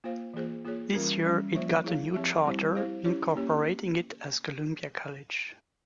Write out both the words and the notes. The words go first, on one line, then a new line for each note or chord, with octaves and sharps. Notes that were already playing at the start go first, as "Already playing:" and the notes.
This year it got a new charter, incorporating it as Columbia College.
A#3 F4 C5 F5
E3 A#3 F4 G#4 C5
A#3 F4 G#4 C#5
E3 G3 C#4 F4 A#4
E3 G3 C#4
F3 A#3 F4 C5 E5
E4 G#4 C#5 F5
F3 C4 G4 C#5 E5
G3 C4 E4 G4 C5
E4 G4 C5 F5
C#4 E4 G4 C#5
A#3 C#4 G4 C#5